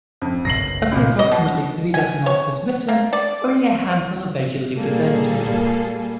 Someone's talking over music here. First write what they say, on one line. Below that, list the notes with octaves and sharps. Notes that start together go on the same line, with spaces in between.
Of the approximately three dozen operas written, only a handful are regularly presented.
F2
F#1 B1 A#6 C7 F#7
C#2 A#2
D#5
B2
G#5
C#5
A#3
D5
A#2 G3 A#3 G#4 A4